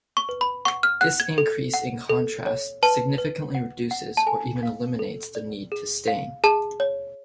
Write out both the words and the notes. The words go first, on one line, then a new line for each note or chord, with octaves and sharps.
This increase in contrast significantly reduces, or even eliminates the need to stain.
C#6
B4
B5
F#5 C#6
F6
F#5 F#6
G#6
A4
F#5
A4
C#5
B4 A5
B4
F#5
F#5
A5
A4 G#5
F5
A4
D5
G#4
F5
G#4 A5
C#5